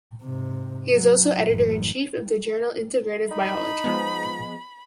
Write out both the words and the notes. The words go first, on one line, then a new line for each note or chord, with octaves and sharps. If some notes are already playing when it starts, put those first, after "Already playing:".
He is also editor in chief of the journal "Integrative Biology".
G#2 C3
F#3
A1 F#2
D#4 B5
F3 G#3 B3